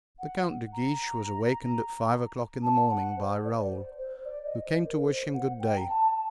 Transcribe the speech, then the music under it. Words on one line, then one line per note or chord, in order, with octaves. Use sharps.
The Count de Guiche was awakened at five o'clock in the morning by Raoul, who came to wish him good-day.
F#5
A#5
A5
F#5
C5
D5
C5
C5
D5
D#5
C5
A#4
C5
F#5
G5
A#5
A5
A5